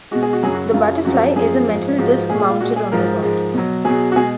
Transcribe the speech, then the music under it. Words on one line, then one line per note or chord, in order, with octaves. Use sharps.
The "butterfly" is a metal disc mounted on a rod.
B2 G#3 F#4
G#4
F#4
F#2 C#3 F#3 G#4
F#4
F#2 C#3 F#3 F4
F#2 F3 G#3 F#4
F#2 F3 G#3 G#4
G#2 F3 G#3
G#2 F3 G#3 F#4
A#2 G#3 G#4
G#4
F4
A#2 G#3 F#4
G#4
G#2 F3 G#3 A#4
G#2 F3 G#3
B2 F#3
B2 F#3 G#4
F#4
B2 G#3 G#4